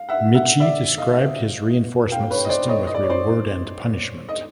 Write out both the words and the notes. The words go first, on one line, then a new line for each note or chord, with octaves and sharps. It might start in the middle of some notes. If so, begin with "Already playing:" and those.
Michie described his reinforcement system with "reward" and "punishment".
Already playing: F5
E5 F#5
E5 F#5
D5 E5
D#5 F5
F5 G5
B4 C#5
D#5
C5 D5
C#5 D#5
D#5
D5
C#5
C5 D5
D#5